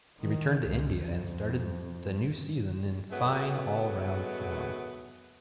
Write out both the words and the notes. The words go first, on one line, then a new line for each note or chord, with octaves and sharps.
He returned to India and started the new season in fine all-round form.
D#3
C#2
F2
D#3 F#3 G#3 A3 B3